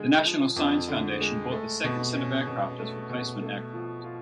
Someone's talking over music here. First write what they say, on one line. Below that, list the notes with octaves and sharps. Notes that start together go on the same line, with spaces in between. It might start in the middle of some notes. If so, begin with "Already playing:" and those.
The National Science Foundation bought the second set of aircraft as replacement aircraft.
Already playing: D3 G#3
F3
F2
D3
G#3
A3
B2
C#4
B2
A3
B2
A3
F3
F4